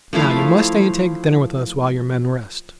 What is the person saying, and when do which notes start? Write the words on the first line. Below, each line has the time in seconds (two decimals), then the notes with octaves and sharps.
"Now, you must stay and take dinner with us while your men rest."
0.13 F3 A3 E4 F5